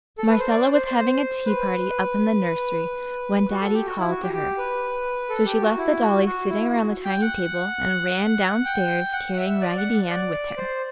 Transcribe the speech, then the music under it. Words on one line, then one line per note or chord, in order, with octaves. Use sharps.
Marcella was having a tea party up in the nursery when Daddy called to her, so she left the dollies sitting around the tiny table and ran down stairs carrying Raggedy Ann with her.
A4
B4
C5
D5
C5
C5
C5
C5
B4
F#4
A4
G4
F#4
E4
F#4
G4
G4
B4
A4
G4
F#4
E4
F#4
F#4
E4
F#4
G5
F#5
G5
F#5
F#5
E5
D5
F#5
D5
C5